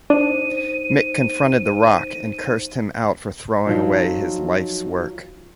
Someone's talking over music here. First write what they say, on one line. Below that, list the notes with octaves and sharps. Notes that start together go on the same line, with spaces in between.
Mick confronted The Rock and cursed him out for throwing away his life's work.
D4 D#4 C5 D#7
F3 F#3 D#4